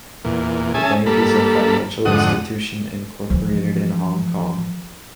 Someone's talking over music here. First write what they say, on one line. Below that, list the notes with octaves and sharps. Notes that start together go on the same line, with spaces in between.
The bank is a financial institution incorporated in Hong Kong.
E2 A#2
C#4 G#4 E5 G#5 A5
G2 A#3 A4 B5
F2 G#2 D3 F#5 D#6
E3 F3